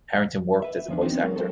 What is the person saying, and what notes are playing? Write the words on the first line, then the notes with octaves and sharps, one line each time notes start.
Harrington worked as a voice actor.
B4 E5
E2 F3 D4
B3 C4 D4 D#4 F#4
F#3 G#3 A#4
A4 C5 E5 G5